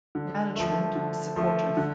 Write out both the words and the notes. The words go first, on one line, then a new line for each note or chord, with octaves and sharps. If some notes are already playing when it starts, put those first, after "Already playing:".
Management is supportive.
D3
F3 A3
D3
F3 A3
D3